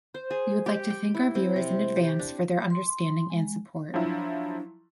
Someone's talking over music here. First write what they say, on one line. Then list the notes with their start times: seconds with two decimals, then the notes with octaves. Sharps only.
We would like to thank our viewers in advance for their understanding and support.
0.14 C5
0.31 G#4
0.66 G4
0.90 G5
1.15 E4
1.35 C4
1.56 C3
1.96 G4
2.19 D4
2.70 C6
3.30 G#3
3.94 F3 F#3 D4 E4